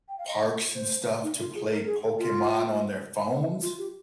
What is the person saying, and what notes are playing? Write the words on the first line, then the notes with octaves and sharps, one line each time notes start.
parks and stuff to play Pokemon on their phones.
G5
F5
D#5
C5
D#4
F4
G#4
A#4
G#4
F4
F4
G4